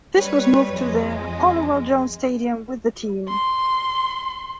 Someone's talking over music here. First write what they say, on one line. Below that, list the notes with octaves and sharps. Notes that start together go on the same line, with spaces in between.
This was moved to the Halliwell Jones Stadium with the team.
G3 B4 C#5
F2 G#3
C6